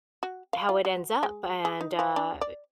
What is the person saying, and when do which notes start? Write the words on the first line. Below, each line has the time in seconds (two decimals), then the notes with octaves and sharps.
how it ends up and, uh,
0.23 F#4
0.53 F5
0.69 F4
0.85 F#4
1.23 G#3
1.65 G#4
1.81 D#4
1.99 F3
2.16 D4
2.41 D5